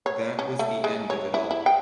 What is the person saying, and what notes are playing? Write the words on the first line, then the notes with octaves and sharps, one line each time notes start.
That was the end of it all.
C#5
C#4
A3
G#3
C#5
E4
E4
G5